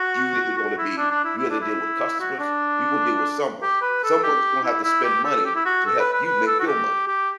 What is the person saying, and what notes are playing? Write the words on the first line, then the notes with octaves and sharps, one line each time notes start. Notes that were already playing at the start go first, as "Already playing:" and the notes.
You either gonna be you either deal with customers or you gonna deal with someone. Someone's gonna have to spend money to help you make your money,
Already playing: F#4
F#4
E4
D4
D4
E4
E4
D4
E4
F#4
D4
G4
B4
A4
G4
E4
E4
G4
A4
G4
E4
F#4
A4
B4
B4
B4
A4
F#4
G4
G4